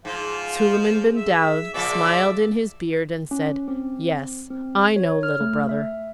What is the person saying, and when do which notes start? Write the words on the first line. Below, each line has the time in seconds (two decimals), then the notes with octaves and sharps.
Suleiman-bin-Daoud smiled in his beard and said, 'Yes, I know, little brother.
0.05 G#2 F3 F4
1.16 E5
1.74 A#2 C#3 F3 D5 E5
3.31 C#4
3.68 C4
4.50 C4
4.96 C#5
5.23 F6
5.41 A3
5.69 E5